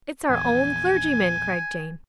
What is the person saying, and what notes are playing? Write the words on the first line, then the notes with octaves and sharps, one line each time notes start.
'It's our own clergyman,' cried Jane.
A#1 E2 G#5